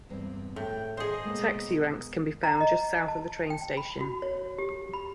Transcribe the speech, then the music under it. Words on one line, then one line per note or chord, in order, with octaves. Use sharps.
Taxi ranks can be found just south of the train station.
E2 G2 C4
A2 G5
G#4 C5 C#5 D#5
B2 G#3 A#3
A#5
D#5
A5
G5
B5
F#4
C#5
G4
B5